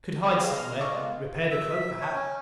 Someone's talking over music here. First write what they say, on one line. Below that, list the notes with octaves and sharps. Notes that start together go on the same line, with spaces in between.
I could hide somewhere, repair the cloak perhaps.
A3 B3 C#6 F6 A#6
G#4 C5 F5 C7
F6 A#6
D#4 A4 D5 F5 A#5 C#6
G#3 B3 F4
E5
C#5
C#4